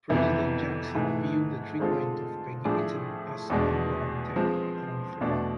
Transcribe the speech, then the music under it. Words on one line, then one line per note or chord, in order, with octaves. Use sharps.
President Jackson viewed the treatment of Peggy Eaton as unwarranted and unfair.
F2 C3 E3 B3 E4
G#2 E3 A3
D3 G#3 C4 F4 A4
A2 F3 A3 D4 G#4
E2 B2 G#3 D4
F3 G#3 C4
E2 B2 A3 D4